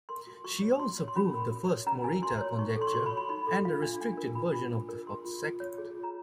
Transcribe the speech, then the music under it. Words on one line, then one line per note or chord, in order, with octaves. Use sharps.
She also proved the first Morita conjecture and a restricted version of the second.
A#4 C6
F#4
F#4 C#6
C#5
F#4 C6
C#5
C6
C#4 B5
A#4
F#4
C#5
C#4 A#5
A#4 G#5
F#4 C6
C#5
D#4 C#6
C#6
A4
C6
C#6
F#4 C6
B5
C#5
B5
D#4 B5
A4
F4 F5
D4
D4
A#4
F4 B5
D4
D4
A#4
G#4 C6
F4
F4
C#5
G#4
F4
A#5